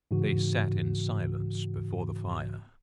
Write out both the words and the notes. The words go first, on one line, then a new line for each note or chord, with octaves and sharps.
They sat in silence before the fire.
G#2 C#3 E3 F#4